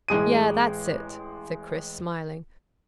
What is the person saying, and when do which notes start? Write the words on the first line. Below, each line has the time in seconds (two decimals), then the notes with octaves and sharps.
"Yea, that's it," said Chris, smiling.
0.08 A1 G#3 G#4 D#7